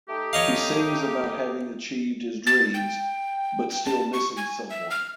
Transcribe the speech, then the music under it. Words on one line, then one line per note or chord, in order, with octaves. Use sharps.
He sings about having achieved his dreams but still missing someone.
A3 D#4 G4
C#5 D#5 F5
A6
G5
G5
A5
C#6
G#5
E5
F6